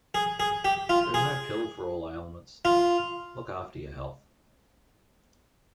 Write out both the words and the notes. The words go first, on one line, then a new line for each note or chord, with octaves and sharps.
There is no pill for all ailments, look after your health.
G#4
G#4
G4
F4
G#4
F4